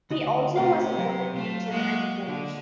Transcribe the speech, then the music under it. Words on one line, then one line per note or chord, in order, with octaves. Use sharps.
He also was a noted teacher and coach.
D2 F#4 D#5
C3 A3 A#4 F5
F#3 A#4
A3 F4
G#3 A#3 F#4
D3